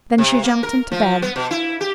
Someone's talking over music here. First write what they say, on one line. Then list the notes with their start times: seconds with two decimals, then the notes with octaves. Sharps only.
Then she jumped into bed.
0.18 C3
0.43 A#3
0.63 A#4
0.92 F3
1.22 B3
1.36 B2
1.51 E4
1.81 G4